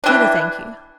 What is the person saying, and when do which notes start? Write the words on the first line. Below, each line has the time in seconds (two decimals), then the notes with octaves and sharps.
"Neither, thank you."
0.04 E3 G3 D4